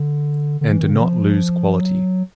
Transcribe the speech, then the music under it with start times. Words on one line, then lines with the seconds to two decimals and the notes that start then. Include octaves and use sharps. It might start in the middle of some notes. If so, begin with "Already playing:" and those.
And do not lose quality.
Already playing: D3
0.61 D3
0.71 E3
0.81 D#3
0.90 C#3
1.01 F3
1.81 F#3